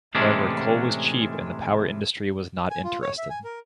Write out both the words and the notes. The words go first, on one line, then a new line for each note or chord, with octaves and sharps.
However coal was cheap and the power industry was not interested.
A2 C3 E3 G#3 C#4 D4
G#5
F4
C#5
E5
G#5
A#4